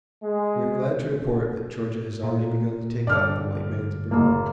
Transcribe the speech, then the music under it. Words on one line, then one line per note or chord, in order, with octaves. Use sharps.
We are glad to report that Georgia has already begun to take up the white man's burden.
G#3
A#2
G2 D3 D5 F6
F#1 A#3